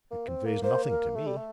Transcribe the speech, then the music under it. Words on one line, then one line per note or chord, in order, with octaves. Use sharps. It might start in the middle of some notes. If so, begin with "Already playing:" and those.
"It conveys nothing to me!"
A#3
C4
A#3
A#3 C5
A#4
A3 A4
G3
A3